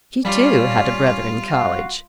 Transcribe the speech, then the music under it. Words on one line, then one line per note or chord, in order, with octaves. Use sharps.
She, too, had a brother in College.
G3 C#4 F4 D5 F5 D6
F#4 F5